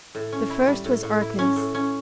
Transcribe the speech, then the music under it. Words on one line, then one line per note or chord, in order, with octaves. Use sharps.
The first was Arcas.
A2
C#4
E4
G3
A2
A2
E4
C#4
A2
C#4